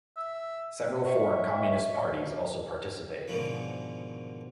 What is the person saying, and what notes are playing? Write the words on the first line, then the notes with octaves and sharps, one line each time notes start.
Several foreign communist parties also participate.
E5
C#5 D#5 E5 C#6
G#2 B2 D3 D#3 F3 C#4